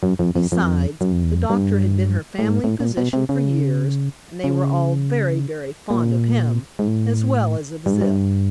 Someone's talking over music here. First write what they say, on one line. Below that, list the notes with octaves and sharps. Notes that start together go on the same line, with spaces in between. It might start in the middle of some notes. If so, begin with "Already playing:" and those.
Besides, the doctor had been her family physician for years, and they were all very, very fond of him as well as of Zip.
F#2
F2
F2
F2
F#2
F2
E2
F2
G2
A2
G#2
A2
A#2
B2
C3
C#3
C#3
A#2
G#2
A2
G2
G#2
G2